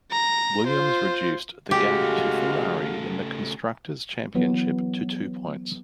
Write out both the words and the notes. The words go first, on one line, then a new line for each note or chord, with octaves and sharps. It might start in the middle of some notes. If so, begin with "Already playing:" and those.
Williams reduced the gap to Ferrari in the Constructors Championship to two points.
A#5
F4 C5
C#3 G#3 A3 F#4 G4 F5
E3 F#3 B3